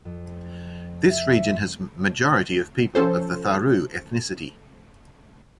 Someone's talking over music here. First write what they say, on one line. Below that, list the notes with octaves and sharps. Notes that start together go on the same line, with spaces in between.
This region has majority of people of the Tharu ethnicity.
F2
E5
F3 C#4 A4 C5